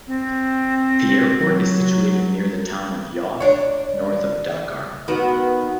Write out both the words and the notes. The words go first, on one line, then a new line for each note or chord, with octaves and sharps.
The airport is situated near the town of Yoff, north of Dakar.
C4
F#3
D4 C#5
D#3 B3 F#4